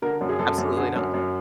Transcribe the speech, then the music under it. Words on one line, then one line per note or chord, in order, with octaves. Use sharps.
Absolutely not.
D3 A#4
F#2
G#4
F#2 A4
F#2
D3 G#4
F#2
F#2